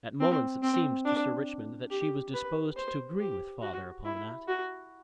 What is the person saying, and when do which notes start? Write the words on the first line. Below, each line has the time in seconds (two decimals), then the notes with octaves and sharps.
At moments it seemed to Sir Richmond that she was disposed to agree with father upon that.
0.21 C4
0.63 C4
1.06 D4
1.91 G4
2.34 B4
2.77 C5
3.20 G4
3.62 F#4
4.05 E4
4.48 F#4